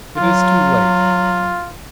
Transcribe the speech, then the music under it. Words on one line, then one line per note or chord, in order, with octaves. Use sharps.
It is too late.
F#3 F4